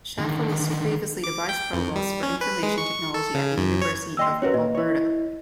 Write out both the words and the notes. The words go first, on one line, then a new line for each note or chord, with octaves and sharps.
Schaeffer was previously the Vice-Provost for Information Technology at the University of Alberta.
D3 D#3
D6
G5
F2
G3
C#4
B4
G#3
C#6
A4
C#3
F#2
C#5
D#2 D#5 G5 C6 E6
C#4 F#4 A#4 B4 C#5
A#2 D#5
E4 C#5